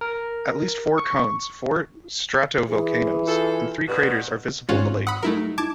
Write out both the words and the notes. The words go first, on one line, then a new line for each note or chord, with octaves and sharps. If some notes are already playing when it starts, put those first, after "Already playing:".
At least four cones, four stratovolcanoes, and three craters are visible in the lake.
A#4
C#6
E3 G#4
G2 F4 G#4 A4
G2 B2 B4
G#1 G#2 C#4 F4 F#4
F#5 B5 D#6
F#3 G3 A3 D#4 E4 A#4
D#4 E4 A5 D6 G#6